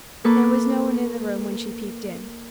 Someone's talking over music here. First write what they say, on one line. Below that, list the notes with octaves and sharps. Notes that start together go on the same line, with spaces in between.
There was no one in the room when she peeped in.
A#3 A4 B4 C#6 D6